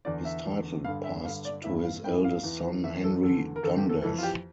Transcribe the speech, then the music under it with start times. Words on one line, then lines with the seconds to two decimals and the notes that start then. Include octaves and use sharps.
His title passed to his eldest son Henry Dundas.
0.05 E2 D3 D5
0.25 E5
0.45 E2 D3
0.84 G2 D3 F5
1.04 E5
1.25 G2 D3 F5
1.45 D5
1.64 G2 E3 E5
1.84 F5
2.04 G2 G5
2.08 E3
2.24 F5
2.43 E2 E3
2.83 E2 E3 E5
3.04 A4
3.23 E2 D3 A4
3.56 A#4
3.63 E2 D3 A4
3.77 G4
3.89 A4
4.02 F2 E3 A4
4.18 F4
4.23 G4